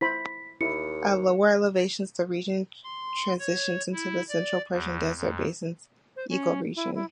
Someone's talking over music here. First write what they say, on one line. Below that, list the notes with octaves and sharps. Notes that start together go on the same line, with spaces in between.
At lower elevations the region transitions into the Central Persian desert basins ecoregion.
E4 C5 B5 B6
D#2 E4 C#7
C6
C#5
E4
D5
E2
F2
C5
C#4
E4
E4